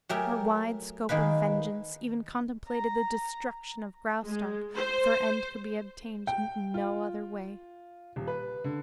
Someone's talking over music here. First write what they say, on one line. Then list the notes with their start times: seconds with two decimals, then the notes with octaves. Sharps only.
Her wide scope of vengeance even contemplated the destruction of Graustark if her end could be obtained in no other way.
0.09 F#3 A3 G4 G#4 A#4
1.09 D#3 G#3 A#3 B4
2.69 A#5
4.24 G#3
4.76 C5
6.27 G5
6.74 F4
8.16 D#1
8.27 B4
8.64 D3